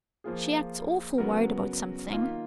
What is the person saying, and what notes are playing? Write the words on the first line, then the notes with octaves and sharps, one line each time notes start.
She acts awfully worried about something.
F3 A#3 F4 G#4
C#3 F#3 B3 F#4 A#4
D#3 A#3 F4